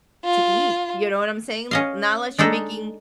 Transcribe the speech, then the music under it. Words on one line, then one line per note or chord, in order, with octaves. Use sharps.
to eat? You know what I'm saying? N not unless you're making,
F4
C#4 D#5 F5
G#3 D4 D#4 A4